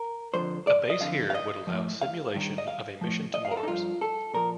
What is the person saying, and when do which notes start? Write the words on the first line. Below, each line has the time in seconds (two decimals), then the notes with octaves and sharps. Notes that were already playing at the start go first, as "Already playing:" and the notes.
A base here would allow simulation of a mission to Mars.
Already playing: A#4
0.34 F2 D3 F3 C5
0.67 D5
0.90 D#5
1.00 F2 D3 F3 F5
1.30 F5
1.34 D#5
1.67 F3
1.73 A2
2.01 F5
2.34 G2 D#3
2.58 D#5
2.68 F5
3.01 A2 F3
3.34 D#5
3.45 F5
3.51 A#4
3.57 A4
3.63 D#4
3.68 G2 F3 F4
4.01 A4
4.34 A#2 F3 A#4